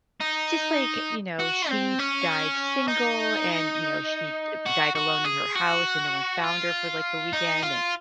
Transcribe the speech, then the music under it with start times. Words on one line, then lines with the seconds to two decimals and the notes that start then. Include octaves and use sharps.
just like, you know, she died single and, you know, she, uh, b died alone in her house and no one found her for, like, the weekend, and
0.21 D#4
1.40 F#4
1.70 C4
1.99 C#4
2.88 D#4
4.66 F#4
4.95 F#4
5.25 G#4
5.55 F#4
6.44 F4
7.33 D#4
7.62 F4